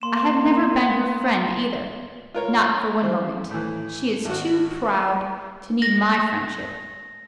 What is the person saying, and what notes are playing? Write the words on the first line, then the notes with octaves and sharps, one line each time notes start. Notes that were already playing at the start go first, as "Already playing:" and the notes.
I have never been her friend either, not for one moment; she is too proud to need my friendship.
A#3 C6 E7
F4 A#4 C#5
E3 C5
A2 E3
G#1 F#4
A#6